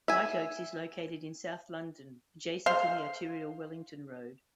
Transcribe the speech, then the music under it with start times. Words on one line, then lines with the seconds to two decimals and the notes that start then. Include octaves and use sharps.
White Oaks is located in South London, adjacent the arterial Wellington Road.
0.08 E5 G#5
2.66 C5 F5